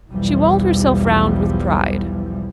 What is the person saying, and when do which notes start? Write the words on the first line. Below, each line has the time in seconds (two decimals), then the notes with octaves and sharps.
She walled herself round with pride.
0.10 B1 E2 E3 F3 G3